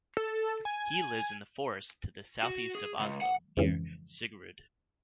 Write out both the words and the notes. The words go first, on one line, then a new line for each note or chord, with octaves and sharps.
He lives in the forests to the southeast of Oslo, near Siggerud.
A4
G#5
F#4
G#4
C#2
F#5
F2 G#2 C#3 E3